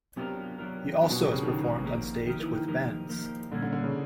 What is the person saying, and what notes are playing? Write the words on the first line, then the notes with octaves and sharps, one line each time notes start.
He also has performed on stage with bands.
C3 F#3 B3 D4 F4 A#4
F#3 B3 D4 F4 A#4
F#3 B3 D4 F4 A#4
B2
C3
C#3
D#3 F#3 B3 D4 F4 A#4
F3 A#3 D#4 G4 A#4
D#3 F3 A#3 D#4 G4 A#4
E3
D#3
F3 A#3 D#4 G4 A#4
F3 A#3 D#4 G4 A#4
A#2 D3 G3 A#3 C#4
D3
D3
C#3